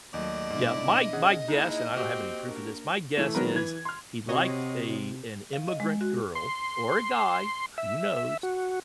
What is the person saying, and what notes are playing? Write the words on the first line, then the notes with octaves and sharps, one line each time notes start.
yeah, my my guess- and I don't have any proof of this- my guess is, he liked a an immigrant girl- or a guy, who knows-
D#2 F#3 A3 D5 D#5
G#2 B2 D4 E4
C#4 G#4 F#5
G#3 A#3 D#4 E4
C4 F#4 G4
A#3 D4 A#4
E3 A3
D#3 F#3 G#3 B3 A#4 B4
E3 B4 G#6
C6 F6
C3 F#4 C#5 D#5
F5
D#5
G#3
F#4
C6
E5
F#4